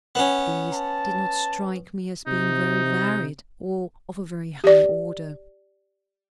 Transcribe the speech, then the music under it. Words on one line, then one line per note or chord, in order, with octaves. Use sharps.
These did not strike me as being very varied or of a very high order.
B3 C#4
A5
C3 D#4
G4 D5